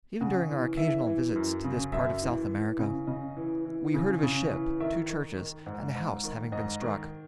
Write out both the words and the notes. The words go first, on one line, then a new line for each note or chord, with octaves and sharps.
Even during our occasional visits to this part of South America, we heard of a ship, two churches, and a house having been struck.
C#3 F#5
E3
E3 E5
E3
F#2
C#3
F#2 E5
E3
E3
C#3
C#3 D#5
E3
E3
C#3
C#3
E3
D#3 E5
D#3
D#3
G#2
G#2
D#3
G#2 D#5
D#3